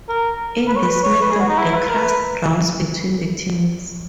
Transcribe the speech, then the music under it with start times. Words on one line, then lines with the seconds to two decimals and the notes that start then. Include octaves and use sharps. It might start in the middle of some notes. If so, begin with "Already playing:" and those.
In this method, the crust browns between the tins.
0.09 A#4
0.67 B4
0.76 C#5
0.83 B4
1.04 C#5
1.21 B4
1.31 G#4
1.39 F#4
1.48 D#4
1.58 E4
1.75 B4
1.89 A#4
1.98 B4